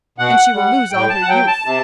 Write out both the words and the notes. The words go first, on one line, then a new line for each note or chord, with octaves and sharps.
"And she will lose all her youth."
B2 F#5
G3
A2 G5
A5
F#5
F#3 G5
A5
C3 A5